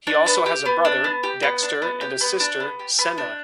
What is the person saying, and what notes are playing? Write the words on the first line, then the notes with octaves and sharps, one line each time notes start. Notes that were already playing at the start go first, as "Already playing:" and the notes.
He also has a brother, Dexter and a sister, Senna.
D4
B3
G4
B3
D4
B3
G4
B3
D4
B3
G4
B3
D4
B3
G4
B3
D4